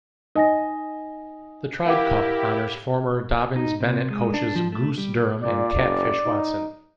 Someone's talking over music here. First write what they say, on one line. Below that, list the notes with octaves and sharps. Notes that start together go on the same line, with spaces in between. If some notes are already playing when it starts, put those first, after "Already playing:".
The Tribe Cup honors former Dobyns-Bennett coaches "Goose" Durham and "Catfish" Watson.
D#4 D#5 G#5 A#6
E4 G4 A#4 F5 F#5 D6
D#4
C3
G#3
D4
F3
A3
G3
A#2 D5
F#1
D#4